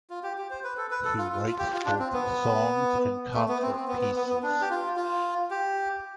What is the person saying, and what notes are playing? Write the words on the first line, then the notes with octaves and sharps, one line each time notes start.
He writes both songs and concert pieces.
F4
G4
G4
C5
B4
A4
B4
A4
F4
F4
F4
G4
F4
D4
C4
B3
A3
B3
C4
C4
B3
B3
B3
B3
D4
G4
F4
F4
G4